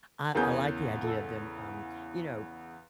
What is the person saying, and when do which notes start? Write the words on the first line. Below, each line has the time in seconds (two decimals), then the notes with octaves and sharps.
I I like the idea of them, um, you know,
0.35 E2 C#3 B3 G#4 A#4 G6
1.04 A4